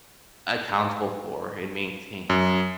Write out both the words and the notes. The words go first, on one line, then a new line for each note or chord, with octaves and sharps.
accountable for and maintain.
F#2